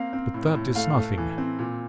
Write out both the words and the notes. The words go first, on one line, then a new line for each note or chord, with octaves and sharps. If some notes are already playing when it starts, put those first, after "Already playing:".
But that is nothing.
Already playing: A#3 C4 F5
C4
A2
A2
A3 F5
A3
E3
C4
A#2